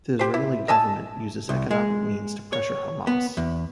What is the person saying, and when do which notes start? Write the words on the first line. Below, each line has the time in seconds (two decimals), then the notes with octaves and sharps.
The Israeli government uses economic means to pressure Hamas.
0.19 G4 C5
0.34 E4
0.68 D#5 E5 G#5 A5
1.49 C2
1.71 G#3
2.53 C#5
3.07 B3
3.37 E2